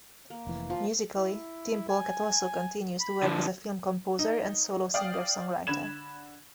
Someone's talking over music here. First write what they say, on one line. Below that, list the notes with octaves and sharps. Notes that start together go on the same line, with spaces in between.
Musically, Tim Polecat also continues to work as a film composer and solo singer-songwriter.
A#3
F1 E3
F3
E4
G#5
B5
D3 F3
D#4
D5 F5 G5 D#6
D3 B5 G#6 E7